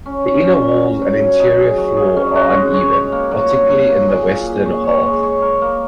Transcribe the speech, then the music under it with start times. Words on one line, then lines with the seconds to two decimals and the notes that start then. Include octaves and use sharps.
The inner walls and interior floor are uneven, particularly in the western half.
0.06 C#4
0.24 C#4
0.44 C#4
0.62 A#4
0.82 F#3
1.02 F#3
1.20 F#3
1.40 D#4
1.58 G#4
1.78 F#3
1.97 G#4
2.16 C#4
2.35 F#4
2.55 G#3
2.74 C#5
2.93 C#5
3.12 A#3
3.31 F#3
3.50 F#3
3.70 F#3
3.89 A#3
4.08 G#4
4.27 A#2
4.46 G#4
4.66 C#5
4.84 C#5
5.04 G#3
5.23 C#5
5.42 A#4
5.62 A#3